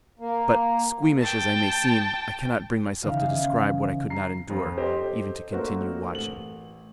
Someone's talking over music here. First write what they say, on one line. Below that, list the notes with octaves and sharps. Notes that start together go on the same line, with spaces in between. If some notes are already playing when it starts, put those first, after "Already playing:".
But, squeamish as I may seem, I cannot bring myself to describe what I could not endure even to continue watching.
A#3
G5 A5
C#3 E3 B3 D#4 F5
A#5 C7
F2 F3
G4 A4 C5 D#5
A3 A#3 C4 D4 F#4 A#4
A1 F#7